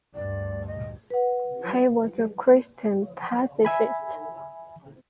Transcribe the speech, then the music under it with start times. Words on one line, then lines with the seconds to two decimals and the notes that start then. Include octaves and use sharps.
He was a Christian pacifist.
0.15 D2 G2 D5
0.67 D#5
1.10 B4 F#5
3.65 E5 G#5 B5